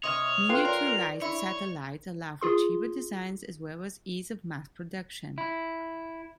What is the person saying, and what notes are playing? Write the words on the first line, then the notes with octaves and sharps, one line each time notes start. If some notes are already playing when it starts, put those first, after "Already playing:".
Miniaturized satellites allow for cheaper designs as well as ease of mass production.
C3 C#5 D#5 D#6 F6
F4 A4 B4 G5 G#5 F#6 C7
A#4 C#5 D5 C6
E4 C#5 E5
F4 G#4 C6
E4